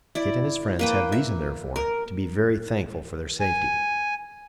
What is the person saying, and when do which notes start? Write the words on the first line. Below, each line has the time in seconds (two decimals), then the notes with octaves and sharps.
Kit and his friends had reason, therefore, to be very thankful for their safety.
0.15 E4 D5
0.79 A#3 B4 G5
1.12 E5
1.76 A#4
3.41 G#5